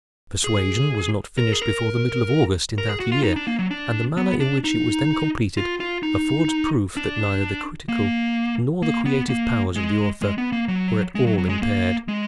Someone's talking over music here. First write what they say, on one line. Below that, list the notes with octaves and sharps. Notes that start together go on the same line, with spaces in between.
'Persuasion' was not finished before the middle of August in that year; and the manner in which it was then completed affords proof that neither the critical nor the creative powers of the author were at all impaired.
G#4
A#4
G#4
A#4
A#4
G#4
F#4
F4
D#4
D4
A#3
F#3
D4
B3
D4
D#4
F4
F4
D#4
D4
A#3
A#3
B3
A#3
G#3
G#3
B3
A#3
F#3
G#3
F#3
F#3
G#3
A#3
G#3